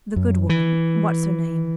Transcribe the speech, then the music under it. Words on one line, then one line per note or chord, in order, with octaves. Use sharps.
The good woman--what's her name?
F#2
E3